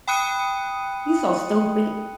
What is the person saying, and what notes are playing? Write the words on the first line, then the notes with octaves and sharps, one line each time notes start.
You so stupid.
G5 B5 D#6 F#6 C#7 D#7